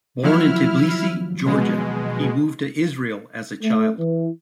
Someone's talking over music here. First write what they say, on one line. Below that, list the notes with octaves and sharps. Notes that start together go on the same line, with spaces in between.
Born in Tbilisi, Georgia, he moved to Israel as a child.
D#2 F3 F#3 E4 F6
B2 G#3
A3
E3